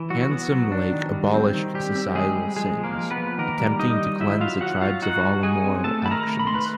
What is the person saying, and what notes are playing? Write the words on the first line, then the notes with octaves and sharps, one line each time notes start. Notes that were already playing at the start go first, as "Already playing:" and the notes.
Handsome Lake abolished societal sins, attempting to cleanse the tribes of all immoral actions.
Already playing: E3
F#3 F#4
B3
F#3
D4
D#3
G3
C4
D#3
G3 G4
C4
G3 G#3 G#4
G3
F3 G#3 G#4
F3
A#3 A#4
F3
B3 B4
F3
D#3 A#3 A#4
G3
G3 D#4 D#5
D#3
F#3 E4 E5
F#3 F4 F5
F#3 F#4 F#5
F#3 F4 F5
D#4 F#4 F#5
G3
D#4 G#4 G#5
C4
A3 A4 A5
D#3 B5
A#4 A#5
A3
B5
A3 C6
B4 B5